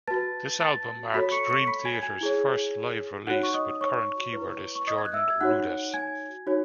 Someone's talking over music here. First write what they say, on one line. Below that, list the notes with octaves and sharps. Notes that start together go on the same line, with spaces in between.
This album marks Dream Theater's first live release with current keyboardist Jordan Rudess.
F#4 B4 A5 A6
A5 A6
F#4 A4 C#5 B5 B6
C#6 C#7
C#6 C#7
B5 B6
G#5 G#6
G#5 G#6
E4 G#4 C#5
D#4 F#4 C#5 F#5 F#6
C#6
D#5 D#6
D#6
C#5 C#6
E4 B4
C#6
D#5 D#6
G#6
F#6
E5 E6
G#6
D#4 F#4 C#5 F#5 F#6
G#5 G#6
D#4 F#4 C#5